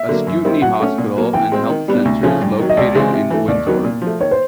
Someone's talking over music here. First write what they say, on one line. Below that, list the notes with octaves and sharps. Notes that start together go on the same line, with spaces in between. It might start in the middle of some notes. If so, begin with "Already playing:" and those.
Ascutney Hospital and Health Center is located in Windsor.
Already playing: E5
D3 F#3 A#3
F#2
D#3 G3 C4 E4
F#3 F#5
A3 C#4
A#2
F#3 A#3
E3 G5
G#3 C4
D#3
G3 B3 D4
D2
C#3 F3 A3 C#4
G2
D#3 F#3
D#5
C#2 D5
C#3 E3 G#3 C4
C3
E3 A3
D#2 D5
D#3 F#3 B3
A#2
F3
A3
D#3 C#5
C5